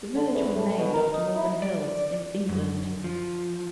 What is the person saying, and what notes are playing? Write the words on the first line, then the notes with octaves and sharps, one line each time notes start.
The village was named after Malvern Hills, in England.
D3
E2
A2
B2
A#4
D#4
E4
D5
F#2
F3